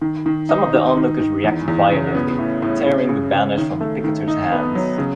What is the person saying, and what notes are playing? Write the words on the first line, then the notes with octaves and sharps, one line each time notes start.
Some of the onlookers reacted violently, tearing the banners from the picketers' hands.
D#3
D#3
D#4
D#3
D#3
D#3
E2
E2
C#3
B3
A2
A2
C#3
C#3
C#3
D#3
A3
D#3
D#4
B3
F#3
C#3